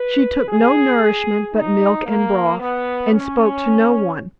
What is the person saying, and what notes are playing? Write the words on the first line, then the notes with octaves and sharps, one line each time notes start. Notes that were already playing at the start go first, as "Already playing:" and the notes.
She took no nourishment but milk and broth and spoke to no one.
Already playing: B4
G#4
D#4
A#3
B3
C#4